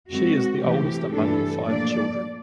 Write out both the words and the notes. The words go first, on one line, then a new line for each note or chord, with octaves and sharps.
She is the oldest among the five children.
F#2 D#3 G#3 C4 F#4
C3 E3 A3 G4
G2 E3 A3 D4 A4
A#2 F3 A#3 D4 D5